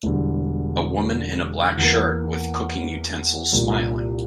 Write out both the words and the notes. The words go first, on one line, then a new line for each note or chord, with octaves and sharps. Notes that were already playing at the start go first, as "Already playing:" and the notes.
A woman in a black shirt with cooking utensils smiling.
E1 E2 D3 G3
E2 E3 A#3
C2 A#2 F3